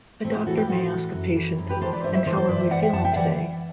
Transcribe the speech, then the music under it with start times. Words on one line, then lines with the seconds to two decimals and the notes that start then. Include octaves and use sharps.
A doctor may ask a patient: And how are we feeling today?
0.24 A2 A3 C4
0.35 E4 G4
0.46 E3 F#4 A4
0.57 G4 B4
0.69 A2 F#4 A4
0.92 E3
1.14 F#2
1.36 E3
1.58 F#2
1.69 G4 B4
1.81 E3 A4 C5
1.93 B4 D5
2.04 G2 C5 E5
2.15 C5 E5
2.26 E3 A4 C5
2.37 A4 C5
2.48 G2 B4 D5
2.59 C5 E5
2.71 E3 D5 F#5
2.83 E5 G5
2.93 F#2 F#5 A5
3.05 E5 G5
3.16 E3 D5 F#5